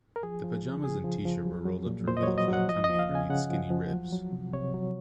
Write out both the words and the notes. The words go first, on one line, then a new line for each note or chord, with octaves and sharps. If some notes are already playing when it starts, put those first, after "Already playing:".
The pajamas and T-shirt were rolled up to reveal a flat tummy underneath skinny ribs.
A#4
F3 G#4
F3
C#3
C#3 G#4
F3
F3
F#3
F#3
A#2
A#2 C5
D#5
F#3 C#5
D#5
F#3
F#5
F3 D#5
D#5
F3
F5
C#3
G#5
C#3 F#5
F3
F3
F#3
F#3
C3
C3 C#5
F#3